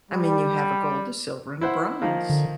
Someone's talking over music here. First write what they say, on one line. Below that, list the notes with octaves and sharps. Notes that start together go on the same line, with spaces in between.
I mean, you have a gold, a silver, and a bronze.
G3
E4 C5 F#5
D#3 F3 A#3
D3